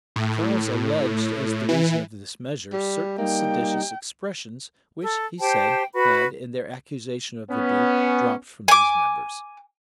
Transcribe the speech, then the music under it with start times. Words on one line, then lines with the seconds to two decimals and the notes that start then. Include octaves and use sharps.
Charles alleged, as the reason of this measure, certain seditious expressions, which, he said, had, in their accusation of the duke, dropped from these members.
0.16 A2
1.69 E3
2.73 G3
3.18 G3 A#3 D#4 G5
5.02 A4
5.39 G4 C5 G5 A5
5.93 F#4 B4 B5
7.50 B3 C#4
8.68 G#5 D6